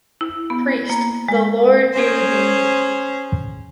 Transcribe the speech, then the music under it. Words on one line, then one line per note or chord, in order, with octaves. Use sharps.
Priest: The Lord be with you.
E4
B3
A#3
G#3
C#4 G#4 C5